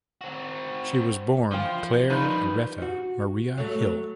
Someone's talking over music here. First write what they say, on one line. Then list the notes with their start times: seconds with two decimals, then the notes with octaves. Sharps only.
She was born Claire Retta Marie Hill.
0.21 C4 F#4
1.51 E2 F3 F4 G5
2.10 D#3 F3 G3 D#4 B4
2.82 F#4
3.58 F#3 A3